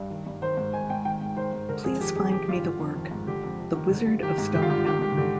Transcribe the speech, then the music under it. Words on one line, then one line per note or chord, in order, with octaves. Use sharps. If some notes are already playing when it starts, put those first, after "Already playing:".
Please find me the work, The Wizard of Stone Mountain.
Already playing: G2
D#3
G2
D#3 C5
G#2
D#3 G#5
G#2 G5
D#3 G5
G#2
D#3 C5
G#2
D3 A#4
F2 G#4
D#3 G4
F2 G#4
D#3 G4
G2 F4
D3
F2
D#3
G#2
D3 G4
F2
C3
D#3
D3
G2
D#3 G4
G#2
D3 G4
F4
G2 G4
D#3 G4
G#2 G4
D3 G4